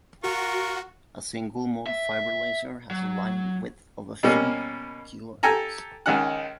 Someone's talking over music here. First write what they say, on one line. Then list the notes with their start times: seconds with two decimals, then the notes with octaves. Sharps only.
A single mode fiber laser has a linewidth of a few kHz.
0.24 F4 F#4 A#4 C#6
1.87 E5
2.91 F#3
4.23 B2 G3 A#3 C#4
5.43 G4 A4 G#5 A#5
6.06 C#2 D#3 D#4 F#5